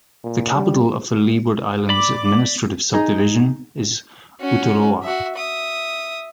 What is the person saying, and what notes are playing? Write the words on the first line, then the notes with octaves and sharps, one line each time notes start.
The capital of the Leeward Islands administrative subdivision is Uturoa.
A#2
G3
D5 B5 D6
D#4 G#4 A#5
C#4 F#4
F#4 E5
E5 D#6